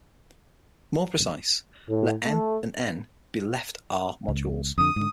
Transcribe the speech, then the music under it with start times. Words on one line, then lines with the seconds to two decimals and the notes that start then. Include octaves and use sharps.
More precise, let "M" and "N" be left "R"-modules.
1.88 A2
2.26 A3
4.28 C#2
4.78 F2 D3 D#6
4.96 G#2 D3